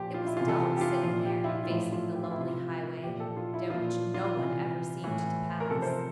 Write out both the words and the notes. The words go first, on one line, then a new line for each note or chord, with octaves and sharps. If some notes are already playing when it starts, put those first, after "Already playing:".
It was dull, sitting there facing the lonely highway, down which no one ever seemed to pass.
Already playing: A#2 F3 G4
F4
E4
C3 E3 F4
A4
G4
G4
F4
A#2 F3 F4
G4
E4
F4
F4
A2 F3 E4
F4
G4
F4
E4
C3 F3 F4
A#2 F3 G4
A4
F4
E4
A#2 F3 F4
F4
C3 E3
A2 E3
A#4
C3 F3 A4
C5
A#4